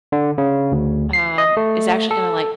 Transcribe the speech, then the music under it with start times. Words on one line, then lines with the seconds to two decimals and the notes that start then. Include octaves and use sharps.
um, is actually gonna, like
0.12 D3
0.38 C#3
0.72 D2
1.13 C7
1.38 D#5
1.57 A3
2.11 A4